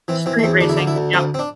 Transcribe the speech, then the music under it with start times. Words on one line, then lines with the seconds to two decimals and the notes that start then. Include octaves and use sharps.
Street racing, yep.
0.08 E3 C4
0.26 E3 C4
0.39 A3
0.43 E2 C4
0.61 D2 D4
0.69 E4
0.77 D3 D4
0.87 E4
0.96 D2
1.13 D2 C4
1.34 C4
1.39 D4